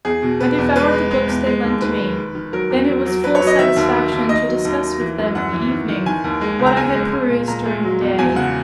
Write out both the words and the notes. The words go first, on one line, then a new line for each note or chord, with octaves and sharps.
I devoured the books they lent me: then it was full satisfaction to discuss with them in the evening what I had perused during the day.
E2 G#4
B2
B2 B4
E2
G#3 B4
G#3
G#3
E2
G#3
D#2
D#3 B4
D#3
D#3
D#3
F#3 A#4
E2
F#3
F#3
F#3 B4
C#5
F#3
D#5
D#3 E5
D#2
D#3
D#2
D#3 D#5
F#3
D#2
D#2
E3
F#2
F#2 F#5
E3
D#3
D#3
D#3 G#5
D#2
G#3
C#2
A#5
G#3 G#5
G#3
G#3
A#2
A#2 A#5
G#3
F#3
E2
E2 G#5
C#3 F#5